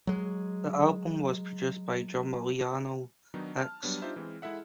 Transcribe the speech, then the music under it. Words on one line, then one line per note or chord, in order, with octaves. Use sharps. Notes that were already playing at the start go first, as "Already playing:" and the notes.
The album was produced by drummer Lionel Hicks.
F#3 G#3
D#3 F#3 B3 D4 D#4
A5 F6
F#3 G3 B3 D4 C#5
D4 D#4 F4 G4 C5 E5
E3 G#3 C4
G#3 E4 A4 E5 F#5